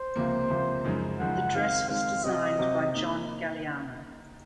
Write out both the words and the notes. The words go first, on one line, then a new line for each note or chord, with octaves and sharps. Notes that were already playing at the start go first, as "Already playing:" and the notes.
The dress was designed by John Galliano.
Already playing: C5
C#2 C3 F3 A#3
C#2 C3 F3 A#3
F#2 C#3 F3 G#3 D#4
F#2 C#3 F3 G#3 D#4 F#5
D#3 G#3 C4 F5
D#3 G#3 C4 F5
C3 F#3 C4 F#4 D#5
C3 F#3 C4 F#4
D#3 A#3 D#4